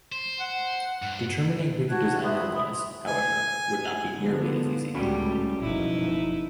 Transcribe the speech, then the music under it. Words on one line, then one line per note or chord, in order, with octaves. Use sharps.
Determining who the designer was, however, would not be nearly as easy.
C5
F#5
G2
F#4 A5 F#6 G#6
E5 B5 C6 D#6
G#5
D3 F3 B3
C#2 A2 G3 A3 C#4 F#4 B5
F#1 B2 F3 D#4 E4